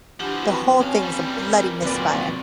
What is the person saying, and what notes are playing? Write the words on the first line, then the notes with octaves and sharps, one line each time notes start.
The whole thing's a bloody misfire.
E3 F3 D4 G4 F#5
C4 F#4 B4 G5 A5
G2 C#4 F5
E3 G3
A#4
D2 A#2 F#3 C4 F#4 B4 D5